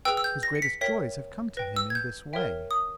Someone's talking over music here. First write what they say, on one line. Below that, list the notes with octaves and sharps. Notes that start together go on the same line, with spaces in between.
His greatest joys have come to him in this way.
G#4 B4 G5 E6
E6
G6
A#6
C#7
B6
A#4 C#5 E5 G5 B6
B4 G5 A#6
E6
G#6
G6
A#4 C#5 E5 G5
D#6